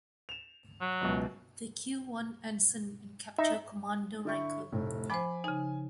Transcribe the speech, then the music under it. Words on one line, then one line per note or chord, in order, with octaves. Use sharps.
They kill one ensign and capture Commander Riker.
E7 F7
F#3
C#2 F#2 B2
D#4 E5
D3 E4 C#6
F1 A2
F3 C5 G#5 B5 D6
C#3 D#4 G#5